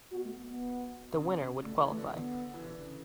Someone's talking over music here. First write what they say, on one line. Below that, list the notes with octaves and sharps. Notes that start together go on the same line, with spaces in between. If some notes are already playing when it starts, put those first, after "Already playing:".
The winner would qualify.
B2 F#4
A3
B3
B3
C#3
B2
C#3
D3 A3
E3
A3
D3
B3
E3
D3
C#3